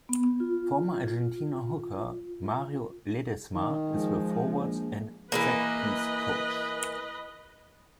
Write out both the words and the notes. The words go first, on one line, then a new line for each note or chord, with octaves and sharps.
Former Argentina hooker Mario Ledesma is the forwards and set-piece coach.
B3
F4
D#3
F3 G#3
A#1
E3 G#3 A#3 B4 D#5